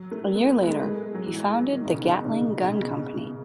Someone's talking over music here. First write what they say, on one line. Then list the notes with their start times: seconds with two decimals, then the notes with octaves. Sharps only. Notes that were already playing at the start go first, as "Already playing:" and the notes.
A year later, he founded the Gatling Gun Company.
Already playing: F#3
0.11 A3
0.35 B3
0.46 B3
0.57 B3
0.63 G#3
0.69 A3
0.81 G#3
1.14 F#3
1.26 E3
1.72 D#3
1.85 B2
1.94 C#3
2.18 B2
2.28 C#3
2.39 B2
2.50 C#3
2.61 B2
2.71 C#3
2.82 B2
2.93 C#3
3.03 B2
3.14 C#3
3.25 B2